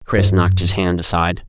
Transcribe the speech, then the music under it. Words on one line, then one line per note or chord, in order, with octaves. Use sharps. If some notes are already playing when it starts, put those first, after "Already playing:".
Chris knocked his hand aside.
G2
F#2